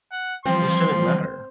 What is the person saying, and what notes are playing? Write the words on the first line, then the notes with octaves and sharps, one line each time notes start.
it shouldn't matter.
F#5
E3 F3 G3 C4 C6